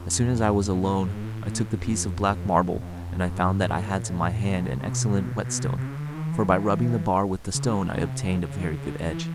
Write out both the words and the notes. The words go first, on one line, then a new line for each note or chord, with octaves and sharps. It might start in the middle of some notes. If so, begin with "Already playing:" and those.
As soon as I was alone, I took the piece of black marble, and I found that I had to my hand an excellent whetstone; for by rubbing the bar with the stone I obtained a very good edge.
Already playing: F2
A2
A2
A#2
G#2
A2
F2
F2
F2
F#2
G2
G#2
A2
A#2
A2
A2
A2
A#2
B2
C3
C3
B2
B2
C3
C3
C#3
D3
D#3
E3
E3
C#3
D3
C#3
C3
C#3
C#3
D#3
D3
C#3
D3
E3